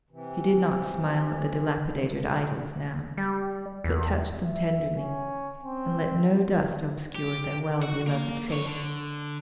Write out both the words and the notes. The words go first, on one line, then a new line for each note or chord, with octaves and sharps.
She did not smile at the dilapidated idols now, but touched them tenderly, and let no dust obscure their well-beloved faces.
C3 E3
G3
E2
E5
C#4
C4
G4
F#4 F#5
A#3
F2 C#5
D3